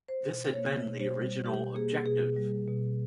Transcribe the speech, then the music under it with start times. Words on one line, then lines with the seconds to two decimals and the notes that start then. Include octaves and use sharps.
This had been the original objective.
0.08 C5
0.23 B2
0.53 A#3 C#5
0.84 B2
1.00 C5
1.14 G3
1.45 B2 G4
1.75 A#3 G#4
2.06 B2 G#4
2.36 G3
2.68 B2